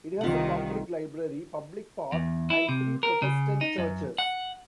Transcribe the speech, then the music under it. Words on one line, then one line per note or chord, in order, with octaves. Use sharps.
It has a public library, public park, and three Protestant churches.
C2 D#3 F4 F#5
E2
E4
C3
A#4
C#3
D#4
F#2
F#5